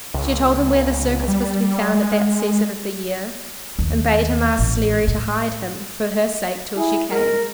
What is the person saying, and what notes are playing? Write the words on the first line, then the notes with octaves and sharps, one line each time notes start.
She told him where the circus was to be found at that season of the year, and bade him ask Sleary to hide him for her sake till she came.
C#2
G3
G#3
D#2
A1
A2
E4 G#4
G#3 A#4